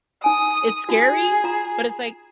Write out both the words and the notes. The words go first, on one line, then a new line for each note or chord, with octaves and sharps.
it's scary, but it's, like,
D#4 G#5 D#6
D#4 F4 F#4 G#4
F4 A#5